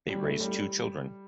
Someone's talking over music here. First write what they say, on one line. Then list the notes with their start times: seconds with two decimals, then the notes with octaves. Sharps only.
They raised two children.
0.09 G3
0.24 A3
0.40 G3